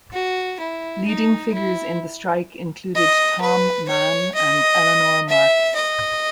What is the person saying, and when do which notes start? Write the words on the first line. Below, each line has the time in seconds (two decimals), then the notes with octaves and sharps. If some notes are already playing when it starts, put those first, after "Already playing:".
Leading figures in the strike included Tom Mann and Eleanor Marx.
0.13 F#4
0.60 E4
1.07 D#4
1.54 E4
2.95 D#5
3.41 B4
3.88 C#5
4.35 D#5
5.29 E5
5.76 D#5